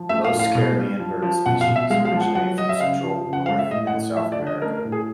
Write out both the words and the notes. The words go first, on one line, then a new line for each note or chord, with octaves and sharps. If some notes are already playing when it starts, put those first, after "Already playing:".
Most Caribbean bird species originate from Central, North and South America.
Already playing: F3
A3 E5
F5
A2
F5
B2
G3
F3
F3
B2 F#5
F5
B2
E5
G#3 F5
F5
F3
F#5
F#3 F#5
F#3 D#5
E5
C#3 F5
F3
C#3
F#5
G#3 F5
E5
A2 D#5
F#5
A2
F3 E5
D5
D3
D#5
A3 A#4
A#4
A2
G#4